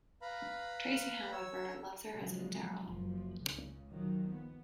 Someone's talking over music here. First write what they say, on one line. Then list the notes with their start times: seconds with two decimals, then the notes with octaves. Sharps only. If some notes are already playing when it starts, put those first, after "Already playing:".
Tracey, however, loves her husband, Darryl.
0.22 B4 F5 A#5 B5
1.32 C#5 E6
2.15 C#3 F3 F#3 G#3
2.83 F#1 F3
3.41 C#2 C#3
3.90 D#3 F3 F#3
4.28 B3